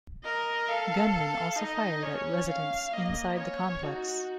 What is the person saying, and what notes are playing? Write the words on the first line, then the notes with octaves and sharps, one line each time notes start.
Gunmen also fired at residents inside the complex.
A#4 D#5
A4 F5
F5
D#4 D#5
C#4 C#5
F5
A#3 D#5
C#4 C#5
D#4 F#4